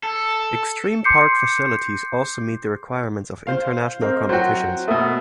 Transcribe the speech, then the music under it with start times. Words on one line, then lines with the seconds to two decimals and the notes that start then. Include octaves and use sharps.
Extreme park facilities also meet the requirements of international competitions.
0.03 A4
1.04 C6 D6 G6 C7 C#7
3.47 C5 F5
4.02 C4 A#4 D#5
4.29 F#3 F#4 C5 G5
4.88 B2 A3 A#4 E5 D#6